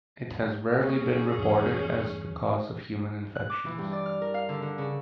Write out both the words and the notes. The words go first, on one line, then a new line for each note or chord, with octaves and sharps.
It has rarely been reported as the cause of human infections.
A#3 C#4 G#4
E2 G2
F#6
D6
E3
G2
D5
F6
A#4
F5
D3
D3
C#3